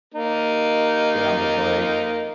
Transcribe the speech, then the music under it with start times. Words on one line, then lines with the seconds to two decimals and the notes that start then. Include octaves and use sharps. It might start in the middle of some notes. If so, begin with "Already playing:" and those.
get on the bike.
0.14 A#3 D#4